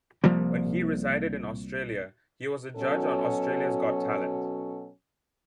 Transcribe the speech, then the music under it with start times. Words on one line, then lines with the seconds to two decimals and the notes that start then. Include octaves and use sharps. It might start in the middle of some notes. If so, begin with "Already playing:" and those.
When he resided in Australia, he was a judge on "Australia's Got Talent".
0.24 C2 F3 G3 A#3
2.76 B2 F#3 C#4 A4